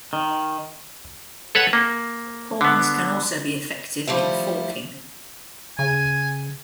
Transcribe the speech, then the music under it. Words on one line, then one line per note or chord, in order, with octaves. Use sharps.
Pawns can also be effective in forking.
D#3
A4 B4 C#5 F#5
A#3
D3 B3
F3 G3 A3 E4
C#3 G#5